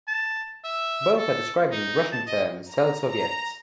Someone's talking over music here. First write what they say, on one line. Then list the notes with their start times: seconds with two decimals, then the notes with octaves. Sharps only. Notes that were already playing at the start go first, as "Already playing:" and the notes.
Both are describing the Russian term "selsoviet".
0.08 A5
0.64 E5
1.18 A4
1.72 D#4
2.12 A5
2.27 D#5
2.69 A#5
3.09 A#5